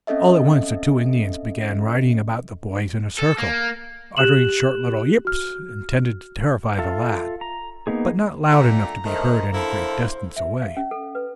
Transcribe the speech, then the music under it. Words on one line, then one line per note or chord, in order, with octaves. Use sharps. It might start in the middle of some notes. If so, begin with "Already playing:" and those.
All at once the two Indians began riding about the boys in a circle, uttering short little "yips," intended to terrify the lads, but not loud enough to be heard any great distance away.
C4 C#4 A4 D#5 E5
A4
A#3
G4 F#6 E7 F#7
F#4 F6
F4 A4 E5
A#5
A#3 B3 D#4 G#4
A#2 D3 A3 A#5
D3 D#3 A3 C5
D3 A#3 E4 A4 C5
E5
F5
C#4
A4
B4